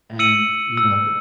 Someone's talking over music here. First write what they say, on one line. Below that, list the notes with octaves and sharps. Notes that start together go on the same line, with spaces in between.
And, you know, the
E6 C#7 D#7 F#7
E6